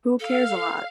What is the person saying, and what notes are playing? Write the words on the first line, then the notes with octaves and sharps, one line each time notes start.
Who Cares a Lot?
A4 F5